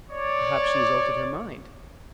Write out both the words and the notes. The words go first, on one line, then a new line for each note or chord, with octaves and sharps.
"Perhaps she has altered her mind."
C#5 D5